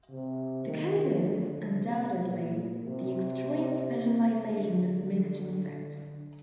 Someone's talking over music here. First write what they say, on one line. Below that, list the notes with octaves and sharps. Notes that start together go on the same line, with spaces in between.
The cause is, undoubtedly, the extreme specialization of most insects.
C3
D#3
D3
C3
A#2
C3
C3
D3